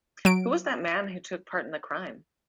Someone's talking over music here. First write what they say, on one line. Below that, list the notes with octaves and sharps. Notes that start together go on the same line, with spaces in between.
Who was the man who took a part in the crime?
F#3 D7